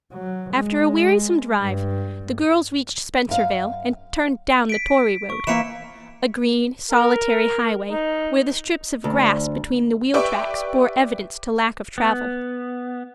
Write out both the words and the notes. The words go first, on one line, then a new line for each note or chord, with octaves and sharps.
After a wearisome drive the girls reached Spencervale and turned down the "Tory" Road . . . a green, solitary highway where the strips of grass between the wheel tracks bore evidence to lack of travel.
F#3
G#3
G2
F#2 F5
B6 D7
C#6
E3 A#3 E5 B6 C#7 E7
A#4
D#4
D2
G4 B4 D5 E5 G5 C#6
B3